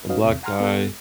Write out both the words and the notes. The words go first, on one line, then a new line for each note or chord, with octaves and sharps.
a black guy
C#4 D#4 F#4 B4 D#5 F5
E2 C3
F#5 G#5 A#5 C6 F6
B3 A4 F#5